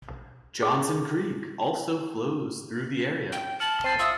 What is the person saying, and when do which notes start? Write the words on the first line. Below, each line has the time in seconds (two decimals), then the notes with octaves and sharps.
Johnson Creek also flows through the area.
0.63 G#4
3.32 G5
3.60 A5 F6 C#7 F#7
3.84 C4 A6 C7 D#7
3.99 F4 E5 D#6 E6